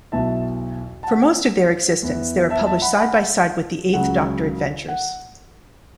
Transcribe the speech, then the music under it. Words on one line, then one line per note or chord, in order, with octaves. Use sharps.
For most of their existence, they were published side-by-side with the Eighth Doctor Adventures.
B1 B2 B3 E4 E5 A5
A5
F#5
E2 E3 B3 E4
E5 A5
E5 A5
F#5 B5
F#5 B5
C#2 C#3 F#3 F#5
F#5